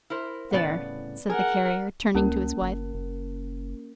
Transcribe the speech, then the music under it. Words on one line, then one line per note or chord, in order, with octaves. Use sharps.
"There!" said the Carrier, turning to his wife.
E4 A#4 C5
C2 A2 C#3 B3 D5
G#4 A#4 F#5
C#2 A#3 C#4 A#4
G1
F#1